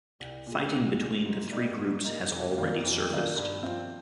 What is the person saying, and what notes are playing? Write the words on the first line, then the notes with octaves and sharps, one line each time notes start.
Fighting between the three groups has already surfaced.
C2
A#2 G#3
C2
A#2 G#3
G#2
G3 A#3 D#4
G#2
G3 A#3 D#4
F2
D#3 A#3 D4 F4
F2
D#3 A#3 D4 F4
G2
F3 C4 F4